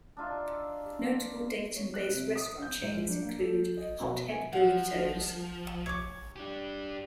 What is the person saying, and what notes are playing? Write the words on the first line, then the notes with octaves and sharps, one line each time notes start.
Notable Dayton-based restaurant chains include Hot Head Burritos.
D4 D#4 F4 E5
C#5
F#6
C3
D#6
G6
G#2
D4
A#3
A4
D#5
B2
G#5
F3 F#5
C#5 D6
D4 G4